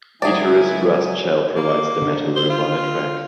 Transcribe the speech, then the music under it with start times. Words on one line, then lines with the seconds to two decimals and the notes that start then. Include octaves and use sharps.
Guitarist Russ Chell provides the metal riff on the track.
0.22 C#2 F#3 E4 G#4 D5 G#5
1.56 A#3
2.02 D3
2.36 C5
2.50 F4